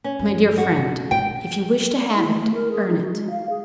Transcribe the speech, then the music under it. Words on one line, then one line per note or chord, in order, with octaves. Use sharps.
"My dear friend, if you wish to have it, earn it."
C#4
G2
F#4
B2
G#2 G5
E4
A3
A3
A#4
G#4
D#4
F#4
G#3
F5
G#4